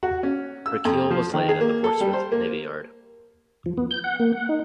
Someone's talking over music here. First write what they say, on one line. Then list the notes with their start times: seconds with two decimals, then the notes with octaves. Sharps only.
Her keel was laid at the Portsmouth Navy Yard.
0.03 F#4
0.23 C#4
0.66 E6
0.85 F2
1.10 F3
1.34 D#3
1.49 G#4
1.61 A#3
1.84 A4
2.00 G3
2.13 C5
2.32 A#3
3.66 F3
3.78 B3
3.91 G6
4.04 F#5
4.19 A#3
4.32 F#5
4.49 D#4